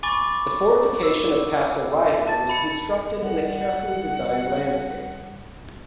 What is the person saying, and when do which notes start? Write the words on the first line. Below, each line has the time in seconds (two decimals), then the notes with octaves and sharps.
The fortification of Castle Rising was constructed in a carefully designed landscape.
0.03 G#5 B5 C#6 D6 A6
1.03 E6
2.27 A5 A6
2.49 B5 C#7
3.23 G3 F#5